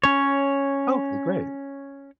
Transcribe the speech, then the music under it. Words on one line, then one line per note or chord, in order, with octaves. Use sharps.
Okay, great.
C#4 C#5